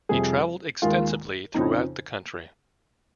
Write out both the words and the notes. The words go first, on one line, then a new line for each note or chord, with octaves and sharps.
He traveled extensively throughout the country.
F1 F2 C3 G3 G#4
D#2 D#3 G#3 F4
F2 C#3 F3 D#4